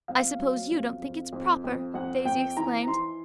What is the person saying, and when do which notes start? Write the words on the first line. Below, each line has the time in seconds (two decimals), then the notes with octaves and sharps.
"I suppose you don't think it's proper!" Daisy exclaimed.
0.08 F2 F5
0.39 F#3
0.71 F2
1.02 F2
1.33 F2
1.64 F2
1.94 F2 F#5
2.25 F2 G5
2.57 E3 A#5
2.87 E3 C6